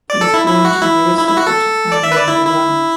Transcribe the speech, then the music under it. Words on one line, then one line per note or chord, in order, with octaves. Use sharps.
He was born to an aristocratic family in Bergamo.
D5
A4
E4
E4
F#4
E4
E4
E4
F#4
A4
D5
E5
B4
D5
E4
E4